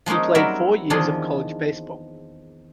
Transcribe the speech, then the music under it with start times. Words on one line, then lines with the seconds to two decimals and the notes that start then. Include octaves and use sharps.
He played four years of college baseball.
0.06 F3 G#3 A#3 C#4 D#4
0.35 F#3 G3 C4 F#4 A#4 E5
0.90 E2 D#3 F3 D4 F4 G#4